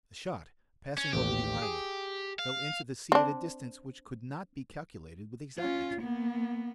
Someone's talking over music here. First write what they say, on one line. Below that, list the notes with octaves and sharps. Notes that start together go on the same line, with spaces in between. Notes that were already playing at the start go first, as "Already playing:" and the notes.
The shot, passing over the islet, fell into the sea at a distance which could not be calculated with exactitude.
C#4
A1 D#2 G4
G#4
F5
C4 D4
C#4 F4
A#3 B3